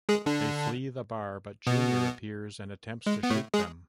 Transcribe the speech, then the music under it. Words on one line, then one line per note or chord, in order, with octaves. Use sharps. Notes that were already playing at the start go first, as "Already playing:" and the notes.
They flee the bar, but Junior appears and attempts to shoot them.
G#3 G#4
D3 D4
B2 B3
G#3
B3
A2 A3
G#3 G#4